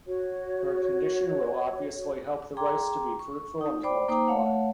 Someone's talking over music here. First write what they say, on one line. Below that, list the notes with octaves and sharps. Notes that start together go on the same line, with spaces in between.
Her condition will obviously help the rice to be fruitful and multiply.
F#4 C#5
G#4 G5 A#5 C6 D6
C#6
D#4
C5 D5 G5 B5 D6
A#3 D#4 C5 G5 A#5 D6
A3 C#5 F5 F#5